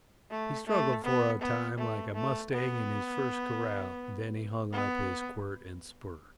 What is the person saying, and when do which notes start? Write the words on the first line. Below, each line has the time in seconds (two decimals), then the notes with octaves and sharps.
He struggled for a time like a mustang in his first corral, and then he hung up his quirt and spurs.
0.31 A3
0.67 A3
1.05 B3
1.41 B3
1.78 A3
2.15 A3
2.52 B3
4.73 B3